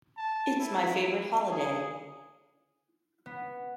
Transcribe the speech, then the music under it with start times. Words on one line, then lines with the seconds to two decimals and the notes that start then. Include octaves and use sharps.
It's my favorite holiday.
0.17 A5
0.60 E4
1.51 G#4
3.26 B3